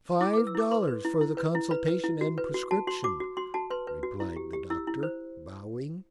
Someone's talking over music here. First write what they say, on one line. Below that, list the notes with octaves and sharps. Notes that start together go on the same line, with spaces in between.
"Five dollars for the consultation and prescription," replied the doctor, bowing.
E4 D6
B4 D6
E6
E4 D6
B4 C6
B4
E4
E4
B4
E4
B4 B5
B4
E4
F#4
B4
F#4
F#4 A5
F#4 C6
F#4 D6
F#4
F#4 C6
F#4 A5
B4 C6
B4
F#4
E4
G4
G4
E4 E6
E4
C5